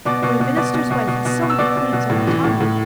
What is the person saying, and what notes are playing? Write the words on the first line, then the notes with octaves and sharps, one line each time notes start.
When a minister's wife has so many claims on her time!
B2 D5 D6
B2
B2
B2 D5 D6
B2
B2
B2
B2
B2
E6
B2 D5 D6
B2
B2
A2
E3
A2
A2